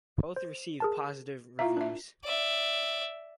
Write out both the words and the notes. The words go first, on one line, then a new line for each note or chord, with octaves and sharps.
Both received positive reviews.
C5
G#4 A#4 A5
E4 F4 E5 F5 A#5
D4 A#4 E5
D5 E5